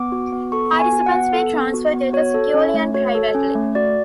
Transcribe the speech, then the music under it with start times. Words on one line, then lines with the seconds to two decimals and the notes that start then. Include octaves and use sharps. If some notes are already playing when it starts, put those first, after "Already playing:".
Participants may transfer data securely and privately.
Already playing: B3 D6
0.12 F#4
0.32 B3
0.52 A4 C#6
0.73 B3
0.79 G#5
0.93 F#4
1.06 F#5
1.13 B3
1.33 A4
1.53 B3
1.74 F#4
1.94 B3
2.13 F#4 C#5
2.34 A4
2.54 C#4
2.74 A3
2.94 F#4 C#5
3.15 A4
3.35 C#4
3.55 A3
3.75 F#4 D5